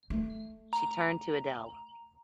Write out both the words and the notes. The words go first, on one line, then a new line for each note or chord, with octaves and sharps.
She turned to Adele.
A3
A#5